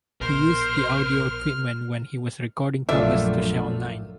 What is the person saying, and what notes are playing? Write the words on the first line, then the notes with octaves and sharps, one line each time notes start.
He used the audio equipment when he was recording covers to share online.
A#1 B2 A#4 C5 F6
A#1 F#2 A3 D4 F4 E5